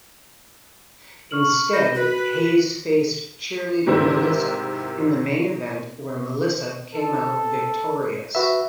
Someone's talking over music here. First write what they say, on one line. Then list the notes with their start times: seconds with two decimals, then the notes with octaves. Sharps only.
Instead Haze faced Cheerleader Melissa in the main event where Melissa came out victorious.
1.31 C#6 F6 F#7
1.73 D#5 B5 G6 A#6
1.95 F#4 B4
3.86 G#2 C3 D#3 E4 C5
6.95 A4
8.35 F#4 B4 E5